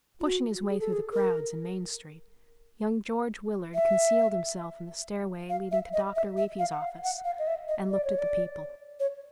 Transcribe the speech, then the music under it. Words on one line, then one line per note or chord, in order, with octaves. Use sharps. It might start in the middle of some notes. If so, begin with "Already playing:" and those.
Pushing his way through the crowds in Main Street, young George Willard concealed himself in the stairway leading to Doctor Reefy's office and looked at the people.
F4
F#4
G#4
A4
G#4
A#4
E5
F5
E5
D#5
E5
E5
F5
F#5
F5
F#5
F5
D#5
E5
D#5
D5
C#5
D5
C#5